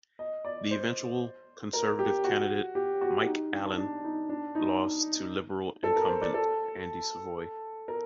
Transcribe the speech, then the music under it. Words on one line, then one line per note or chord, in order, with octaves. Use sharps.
The eventual Conservative candidate, Mike Allen, lost to Liberal incumbent Andy Savoy.
D#5
D5
C5
A#4
G4
F#4
G4
F#4
D#4
D4
D4
D#4
D4
D#4
A4
A#4
C5
D5
A4
A#4